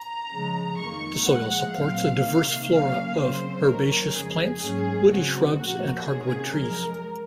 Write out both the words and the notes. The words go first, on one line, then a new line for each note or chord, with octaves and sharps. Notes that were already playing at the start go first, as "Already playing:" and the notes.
The soil supports a diverse flora of herbaceous plants, woody shrubs and hardwood trees.
Already playing: A#5
C#3 F3 G#3
F2 D#3 A#3 C#6
A#2 F3 G#3 F#5
A#2 F#3 C4 F5
C3 D#3 A#3
C#3 F#3 A#3 C#4 F5
C#3 F#3 C4 C5
F#2 D#3 A#3 C#4 A#4
F2 C#3 G#3 G#4
G#2 F#3 A#3 C#4 G#4
C#3 G#3 C4 F#4
A#2 F3 A#3 F#4
C3 D#3 A#3 C#4 G#4
F#2 F3 G#3 A#4